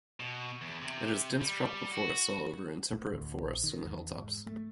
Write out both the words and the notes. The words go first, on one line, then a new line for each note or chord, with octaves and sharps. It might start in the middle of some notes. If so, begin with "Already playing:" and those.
It has dense tropical forests all over and temperate forest in the hilltops.
B2
E2
C3
G3
F#4
A2
D2
A#1
D#3
E2
G#2
A3